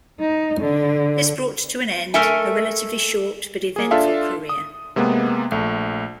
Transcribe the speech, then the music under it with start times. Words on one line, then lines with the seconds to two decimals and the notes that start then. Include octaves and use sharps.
This brought to an end a relatively short but eventful career.
0.20 D#4
0.60 D3
2.14 A3 A4 A#4 E5 G#5
3.76 A#3 G#4
3.91 D4 F4 A4 E5 F5
4.49 D#6
4.96 C3 G#3 A#3 B3
5.52 A#1 A3